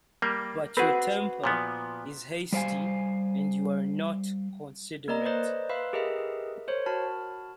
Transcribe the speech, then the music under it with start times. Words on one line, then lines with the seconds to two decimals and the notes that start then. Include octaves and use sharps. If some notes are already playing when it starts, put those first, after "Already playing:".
But your temper is hasty and you are not considerate.
0.22 G3 A#3
0.77 C4 F#4 G#4 B4
1.44 A#2 F3 B3
2.52 G3 C5 F5 G#5
5.08 A#3 A#4 D5 D#5 A#5
5.25 B4 C5 D5 D#5
5.69 B4 E5 F5 B5 C6
5.93 G4 G#4 A#4 B4 D#5 E5
6.68 A#4 C5 C#5
6.86 F#4 A5 B5 F6